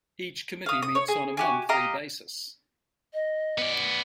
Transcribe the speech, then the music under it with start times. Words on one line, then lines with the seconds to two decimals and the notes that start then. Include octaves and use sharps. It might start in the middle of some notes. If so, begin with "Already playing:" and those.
Each committee meets on a monthly basis.
0.66 F5 D#6
0.82 D#6
0.95 C#5
1.08 G#4
1.37 F#4 G4 G#5
1.69 G4 D#5 F5 A#5
3.14 D#5
3.58 B3 D5